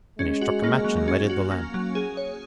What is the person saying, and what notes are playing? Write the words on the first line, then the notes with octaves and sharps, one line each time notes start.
Then he struck a match and lighted the lamp.
G#3 C#4
F#4
A#3
F#3
C#4
F#4
A#3
F#3
G#4
C#5